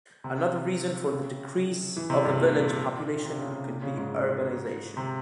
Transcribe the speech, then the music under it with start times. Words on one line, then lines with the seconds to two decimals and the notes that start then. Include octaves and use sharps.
Another reason for the decrease of the village population could be Urbanisation.
0.24 C3
1.10 C#3
1.96 E3
2.10 C3
2.25 G2
2.39 A#2
3.25 C3
3.39 C#3
3.53 C3
3.67 A#2
3.82 C#3
3.97 G#2
4.97 C3